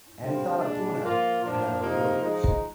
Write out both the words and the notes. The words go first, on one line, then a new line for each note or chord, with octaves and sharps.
And he thought of Oona, and of her words.
D3 G3 C4 F4
A#2 G#3 D4
F3 A#3 F4
A#2 F3 A#3 D4
C3 F3 A#3 D#4
F3 G#3 D#4